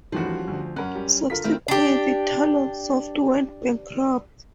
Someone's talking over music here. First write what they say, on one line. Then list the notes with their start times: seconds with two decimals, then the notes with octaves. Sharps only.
Subsequently, Talonsoft went bankrupt.
0.12 E2 A2 D#3 F3 G3 C#4 F#4
0.48 D2
0.76 F#2 C#4 A#4 F#5 F#6
0.95 G3
1.30 D3 F4 A#4 B6
1.44 D#3 A3 C4 E4 F4 F6
1.68 D4 G4